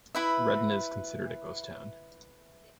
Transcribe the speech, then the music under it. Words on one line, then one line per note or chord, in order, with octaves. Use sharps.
Redden is considered a ghost town.
E4 B4 E5